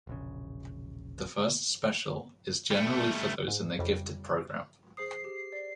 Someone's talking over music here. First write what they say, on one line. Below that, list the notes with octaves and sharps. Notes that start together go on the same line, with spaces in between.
The first special is generally for those in the gifted program.
E1 A#1 C#3
G3 A3
G#2
F2 C#3 G3
G#4 C5 D#6 C7
G4
D5